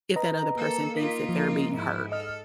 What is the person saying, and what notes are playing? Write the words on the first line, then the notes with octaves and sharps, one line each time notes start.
if that other person thinks that they're being heard.
B4 D#5 A#5
A#3 A4
D#4 F4 B6
F3
G#2 E4
A4 D#5 F6